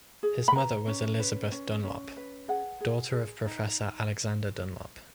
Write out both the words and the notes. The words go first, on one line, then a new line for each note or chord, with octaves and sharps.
His mother was Elizabeth Dunlop, daughter of Professor Alexander Dunlop.
G#4
B5
B4 A#5
C#4
B4
C#4
C#4
B4
G#4 F#5
G#4
G#4
D#4